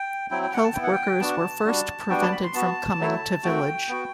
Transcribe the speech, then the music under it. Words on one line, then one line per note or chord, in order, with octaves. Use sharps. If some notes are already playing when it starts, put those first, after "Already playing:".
Health workers were first prevented from coming to village.
Already playing: G5
F#3 C4 E4 G5
G5
F#5
A5
B3 E4 G5
F#5
G5
B3 D4 F#4 A5
G3 D4 F#4
G3 B3 D4 F#4 G5
A5
B5
C6
B3 F#4 A5
F#3 A3 E4
A3 C4 F#4 G5
B3 F#4